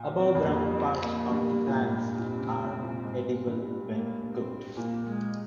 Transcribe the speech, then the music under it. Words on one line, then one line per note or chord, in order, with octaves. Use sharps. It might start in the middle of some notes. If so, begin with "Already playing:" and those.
The above-ground parts of the plant are edible when cooked.
Already playing: A#2
C4
F2
G2 A#3
C4
A#3
G2
A#2
G#2
A#2 C4
C#3
C3
A#2
G#2
G2
A#3
C4
A#2 A#3
G#3